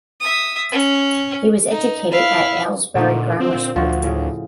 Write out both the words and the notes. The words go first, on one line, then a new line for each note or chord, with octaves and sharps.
He was educated at Aylesbury Grammar School.
E5 D#6
C#4
D#4
E4 F5
A#2 D3 A3 D#4
C4
A#2
D2 F3 F#4
A2 C#3